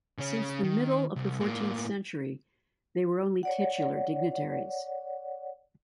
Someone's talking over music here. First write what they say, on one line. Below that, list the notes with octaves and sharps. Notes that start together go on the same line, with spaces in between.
Since the middle of the fourteenth century they were only titular dignitaries.
C#3 C#4
D#3
C2
A2 A#3
C#5 D5 F#5